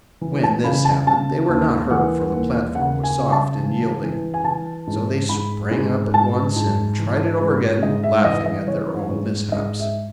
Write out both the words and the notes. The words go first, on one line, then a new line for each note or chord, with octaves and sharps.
When this happened they were not hurt, for the platform was soft and yielding; so they sprang up at once and tried it over again, laughing at their own mishaps.
E3
A5
C#3 B5
A5
C#3 A5
D#2
E3 F#5
D#2
C#3 F#5
G#5
C#3
A5
E3
E3
G#5
E3 A5
G#2
G#2 B5
G#2
G#2 A5
G#2
E3
G#2
G#2 D#5
E5
E3 D#5
D#5
E3 C#5
G#2
G#2 D#5
E5